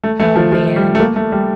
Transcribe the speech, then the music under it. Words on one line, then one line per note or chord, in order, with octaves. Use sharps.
Oh, man.
A3
A3
F3
F3
G3
A3
A#3
A3
G3